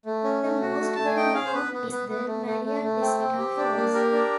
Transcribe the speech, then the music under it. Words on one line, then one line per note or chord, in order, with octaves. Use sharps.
The most well known is the Maria Cristina Falls.
A3
C#4
A3
F#4
A3
A3 A5
G#5
D#4 G5
G#4 F5
C5
B3 B4
B3
B3
B3
A3
A3
A3
A3
C4
C4
G4
D4
A#3
G4 A#4
D4